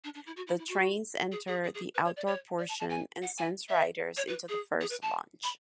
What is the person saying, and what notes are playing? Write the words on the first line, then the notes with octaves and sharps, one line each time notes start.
The trains enter the outdoor portion and sends riders into the first launch.
D4
D4
E4
F#4
E4
E4
F#4
G#4
G#4
G#4
G#4
B4
C#5
D5
C#5
D5
A5
A5
G#5
F#5
G#5
E5
C#5
B4
G#4
G#4
B4
A5
B5